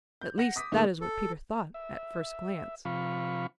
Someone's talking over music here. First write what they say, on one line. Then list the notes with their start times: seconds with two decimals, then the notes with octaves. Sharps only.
At least, that is what Peter thought at first glance.
0.21 G6
0.38 F#5 A#6
0.56 D6 D#6 B6
0.72 A#2 D#3 G#3 A#3
1.01 A4
1.74 E5
2.85 C3 F3 F4 F5 B5 C#6